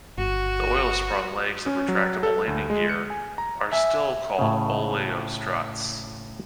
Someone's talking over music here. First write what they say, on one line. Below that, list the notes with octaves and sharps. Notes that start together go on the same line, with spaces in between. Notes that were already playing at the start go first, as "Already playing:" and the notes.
The oil-sprung legs of retractable landing gear are still called "Oleo struts".
G1 F#4
C#4
F#3
A4
D2
G#3
C#7
G#5
A#5
E5 G#5
A2 C#3